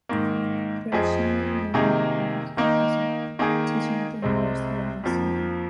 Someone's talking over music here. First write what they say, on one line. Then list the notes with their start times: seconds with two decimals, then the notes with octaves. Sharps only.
Originally he was a mathematics professor, teaching at the University of Lausanne.
0.09 G#2 D#3 A#3
0.92 F2 F3 C4 G#4 D#5
1.74 C3 D#3 A#3 D#4 G#4
2.57 D#3 A#3 D#4
3.39 D#3 A#3 D#4 G#4
4.22 C2 C3 G#3 C4
5.04 F2 F3 A#3